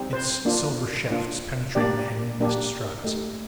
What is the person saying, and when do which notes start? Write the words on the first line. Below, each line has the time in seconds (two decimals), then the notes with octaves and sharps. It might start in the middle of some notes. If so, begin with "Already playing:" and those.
Its silver shafts penetrated the hanging mist-stratas.
Already playing: G3 C4 D#4
0.13 C5
0.45 A#3 D4 F4
1.11 A#3 D4 F4
1.75 A#3 D4 G4 D5
2.40 A#3 D4 G4
3.04 A3 D#4 G4 D#5